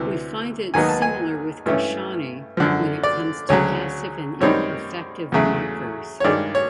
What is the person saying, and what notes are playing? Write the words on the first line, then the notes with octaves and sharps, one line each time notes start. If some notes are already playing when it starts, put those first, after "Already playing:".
We find it similar with Kashani, when it comes to passive and imperfective markers.
Already playing: D2 C3 E3
D#2 D#3 F#3 B3 D#4 G#5
A5
G#5
G2 E3 A3 C#4
F#2 D3 F3
D5
D2 C#3 F#3 C#5
F#2 D#3 G3 C4 D#4 C#5
E2 C#3 F#3 A3
C#5
G2 D#3 G#3 D5
C#5